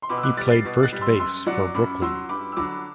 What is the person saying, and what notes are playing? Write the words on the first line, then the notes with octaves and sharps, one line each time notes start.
He played first base for Brooklyn.
C6
B2 B5 D6
E6
D6 F#6
G3 F#6 A6
A6 C7
B2
F#6 A6
G3
C6 E6
F#2 C6 E6
F#3 D5 F#5
F#2 B5 D6
F#3 C6 E6
G2 B5 D6
E6
D3 F#3 B5 D6